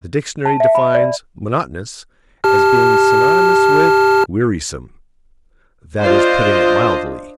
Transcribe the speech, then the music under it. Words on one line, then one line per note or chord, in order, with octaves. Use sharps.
The dictionary defines "monotonous" as being synonymous with "wearisome." That is putting it mildly.
A5
E5
B5
D5
G4 A5 F6
D4 F4 C5 D#5